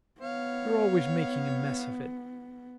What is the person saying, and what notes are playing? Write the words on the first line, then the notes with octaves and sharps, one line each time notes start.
You're always making a mess of it.
B3 C#5 F5